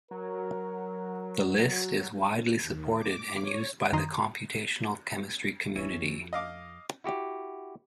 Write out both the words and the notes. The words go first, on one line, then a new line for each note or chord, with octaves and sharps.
The list is widely supported and used by the computational chemistry community.
F#3 A#4
D#2
D6
C#5
F#2 D#3 A#5 C6 D#6
D1 E3 C#4
F2
D#5 F5 D6
E4 F#4 G4